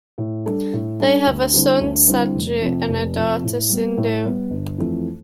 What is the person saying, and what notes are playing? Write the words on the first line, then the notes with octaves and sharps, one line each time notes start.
They have a son Saji and a daughter Sindhu.
A2
G3 D4 A4
A2
G3 D4 A4
D2
D3 G3 C4 E4
D2
D3 G3 C4 E4
F1
F2 C3
F1
F2 C3
A2
G3 B3
A2
G3 B3
G1
F2 E3 A3 E4